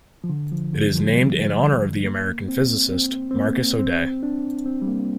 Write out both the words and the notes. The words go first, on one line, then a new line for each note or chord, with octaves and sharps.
It is named in honour of the American physicist Marcus O'Day.
F3
D3
F3
D3
G3
F3
G3
A#3
C4
C4
C4
A#3
C4
D4
C4
G3
A#3